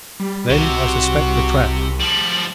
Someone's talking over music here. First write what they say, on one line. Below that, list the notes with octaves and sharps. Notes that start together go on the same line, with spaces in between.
Then I suspect the trap.
G3
C2 C3 F#4
F3 G3 F#7